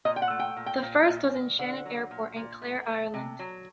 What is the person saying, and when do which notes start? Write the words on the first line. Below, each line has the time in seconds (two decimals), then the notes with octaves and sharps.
The first was in Shannon Airport in Clare, Ireland.
0.05 A#2 D#5
0.16 G5
0.22 F#5
0.30 A3
0.39 G5
0.57 A#2
0.66 G5
0.82 A#2
1.08 A#2
1.33 A#2
1.59 D3 F#5
1.85 F#3
2.11 A#2
2.36 A#2
2.62 A3
2.87 A3
3.14 C3
3.39 F#3